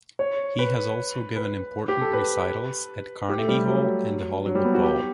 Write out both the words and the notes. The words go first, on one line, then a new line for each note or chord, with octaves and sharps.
He has also given important recitals at Carnegie Hall and the Hollywood Bowl.
C#5
B4
B4
G4
A4
B4
G4
A3
G3
F#3
F#3
G3
B3
F#4
G4